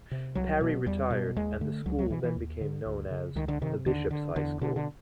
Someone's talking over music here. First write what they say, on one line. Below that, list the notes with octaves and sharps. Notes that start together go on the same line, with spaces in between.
Parry retired and the school then became known as "The Bishops' High School".
C3
C2 F#3
B2
E2 G3
B2
D#2 G#3
D3 A3
C#2 F#3
F#3
B2 E3
E3
D#2
D3
D2
C#3
C#2 D#3
D3
C3 D#3
D#2 D3
D3
E2 D3
B2 D3
D3